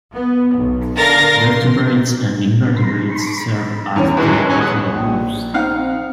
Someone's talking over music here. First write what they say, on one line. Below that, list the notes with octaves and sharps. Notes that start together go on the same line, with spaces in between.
Vertebrates and invertebrates serve as the natural host.
B3
B1
D3 A#4 F5 A6 A#6
C6
E2 C#4
F#1 D#2 E3 F#3 G#3
C#5 G#5
F#5 D#6
A#1
C4 D#4 F5 F#5